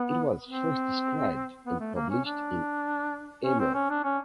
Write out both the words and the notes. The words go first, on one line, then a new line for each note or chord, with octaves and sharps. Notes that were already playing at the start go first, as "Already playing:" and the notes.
It was first described and published in Amer.
Already playing: B3
C4
B3
A3
A#3
C#4
D4
C#4
C4
C#4
D4
C#4